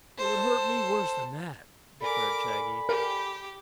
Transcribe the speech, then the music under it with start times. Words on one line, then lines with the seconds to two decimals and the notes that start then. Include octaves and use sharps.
"It would hurt me worse than that," declared Shaggy.
0.17 A4 C5
2.01 A4 A#4 D5 G#5 B5 D6
2.89 G4 A#4